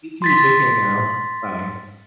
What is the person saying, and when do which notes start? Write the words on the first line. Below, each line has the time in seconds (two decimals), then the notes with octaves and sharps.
You too, take care now, bye.
0.22 C6 A6 B6